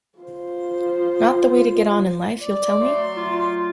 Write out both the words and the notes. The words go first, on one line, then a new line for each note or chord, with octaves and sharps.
Not the way to get on in life, you'll tell me?
F4 C5
D5
F#3 A3 C6
F4